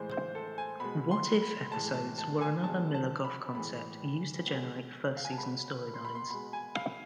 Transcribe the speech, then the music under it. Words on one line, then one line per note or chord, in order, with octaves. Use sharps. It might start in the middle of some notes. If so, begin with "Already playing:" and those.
"What if" episodes were another Millar-Gough concept used to generate first season storylines.
Already playing: A2 E3 G#3 C5
C5
A4
G#5
B2 G#3 B5
C6
B5
A2 E3 G#3 A5
A5
A5
G#5
B2 G#3 A5
A5
B5
A2 E3 G#3 B5
B2 G#3
F5
G#5
A5
B2 G#3 B5
C6
B5
C6
B2 G#3 B5
G#5
F5